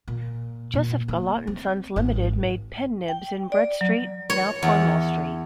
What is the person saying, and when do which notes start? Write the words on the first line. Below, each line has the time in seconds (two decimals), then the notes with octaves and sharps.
Joseph Gillott and Sons Limited made pen nibs in Bread Street, now Cornwall Street.
0.08 A#2
0.74 A#2
1.08 A#3 B3
1.47 C4
1.96 G#1 C4
3.08 G5
3.52 D5
3.81 F#3
4.30 C#5
4.63 E2